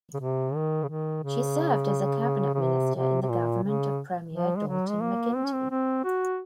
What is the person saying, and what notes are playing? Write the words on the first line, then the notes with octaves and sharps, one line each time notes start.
She served as a cabinet minister in the government of Premier Dalton McGuinty.
C#3
C3
D#3
C#3
D#3
C#3
C#3
C3
C3
C3
A#2
C#3
F3
G#3
F#3
G#3
A#3
C4
C#4
C4
C4
F#4